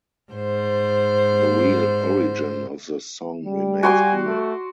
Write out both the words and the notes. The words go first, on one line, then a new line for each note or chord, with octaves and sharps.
The real origin of the song remains unknown.
G#2 C5
G3
F#4 G#5 C6 D6
A3